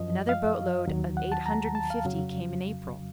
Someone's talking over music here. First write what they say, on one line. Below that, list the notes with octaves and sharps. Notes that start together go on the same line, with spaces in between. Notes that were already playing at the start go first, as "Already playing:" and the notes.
Another boat-load of eight hundred and fifty came in April.
Already playing: F#2 F3 D#5
F5
D#2 D#3 F#3
F#5
A5
A#5
A5
F5
F2 C#3 F#3